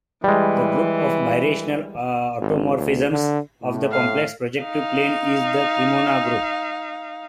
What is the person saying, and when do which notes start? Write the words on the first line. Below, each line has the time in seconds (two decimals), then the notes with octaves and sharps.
The group of birational automorphisms of the complex projective plane is the Cremona group.
0.24 E3 G3 G#3
2.42 G#1
2.78 D2
3.12 D3
3.62 A2
3.91 F5
4.60 D#4 F5